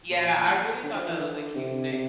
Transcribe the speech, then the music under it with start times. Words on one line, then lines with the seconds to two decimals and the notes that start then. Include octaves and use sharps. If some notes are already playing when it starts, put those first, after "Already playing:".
Yeah, I really thought that was a cute thing.
0.11 A#2
0.83 D3
0.95 F3
1.07 E3
1.19 D3
1.56 C3
1.93 C3